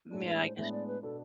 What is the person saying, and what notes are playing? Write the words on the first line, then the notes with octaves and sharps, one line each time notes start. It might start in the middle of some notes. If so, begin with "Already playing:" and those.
Yeah, I guess.
A2 G#3 D4 D5
B4
C5
A2 G#3 B3 D4 E5
D5
B4
B2 B3 D4 A4